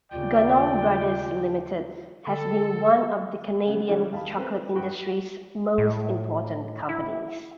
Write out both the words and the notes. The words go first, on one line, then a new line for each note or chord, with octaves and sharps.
Ganong Brothers Limited has been one of the Canadian chocolate industry's most important companies.
D#2 C#3 F4 D5 G5
D3 A4
C#3 B3
C#3 E3 F#3 G3 C#4
D#2 F5 A5 B5
A3 C4 B4
G2 F#4 G5 B5
A2
E4